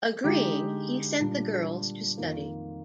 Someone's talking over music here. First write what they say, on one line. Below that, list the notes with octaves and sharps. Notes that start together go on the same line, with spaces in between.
Agreeing, he sent the girls to study.
D3 G#3 D#4 G4
A#2 G3 D4
F2 D#3 A#3 F4